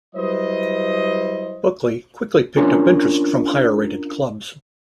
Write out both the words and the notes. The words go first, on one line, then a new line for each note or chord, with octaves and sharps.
Buckley quickly picked up interest from higher-rated clubs.
F#3 G3 E4 B4 C5 D#5
C#4 D4 F4 A#4 C#5 G#5